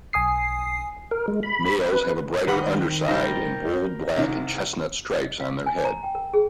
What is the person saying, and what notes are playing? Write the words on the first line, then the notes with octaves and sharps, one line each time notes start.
Males have a brighter underside and bold black and chestnut stripes on their head.
B1 G#5 D#6 C7
A#4
G#3
B5
B4
D#3 C4 B4 F#5 B5
G#2 G3 A#4 G5
C2 C3 D#3
D#5
F5
G#5
A#5
G5
A#4
G#4